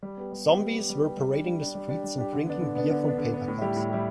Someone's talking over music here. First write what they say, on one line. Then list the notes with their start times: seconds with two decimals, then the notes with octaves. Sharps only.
Zombies were parading in the streets and drinking beer from paper cups.
0.03 G3
0.17 B3 G4
0.32 G3
0.46 B3 G4
0.60 G3
0.75 B3 G4
0.90 G3
1.03 B3 G4
1.17 G3
1.32 D4 G4
1.47 G3
1.61 D4 G4
1.75 G3
1.89 D4 G4
2.04 G3
2.18 D4 G4
2.33 D3
2.46 B3 D4
2.61 D3
2.75 B3 D4
2.90 D3
3.04 B3 D4
3.18 D3
3.33 B3 D4
3.48 A2
3.62 G3 E4 G4
3.76 A2
3.90 G3 E4 G4